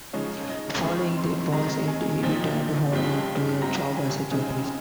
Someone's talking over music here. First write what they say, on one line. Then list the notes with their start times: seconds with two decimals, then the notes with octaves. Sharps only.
Following the war's end, he returned home and to a job as a journalist.
0.13 C#3 F3 G#3 D#4 C#5
0.49 D#5
0.83 F2 D#3 G#3 C4 C#6
1.18 C6
1.52 C3 D#3 G#3 A#5
1.88 G#5
2.22 A#2 F3 C4 D#4
2.92 G2 F3 C4 D#4
3.62 G#2 G3 C4 A#5
3.96 G#5
4.31 C#3 G#3 C4 D#4 G#5